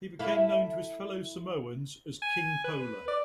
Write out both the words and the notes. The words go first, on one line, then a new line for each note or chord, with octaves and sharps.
He became known to his fellow Samoans as "King Pola".
E4 A4 F5
G#5
B4
D5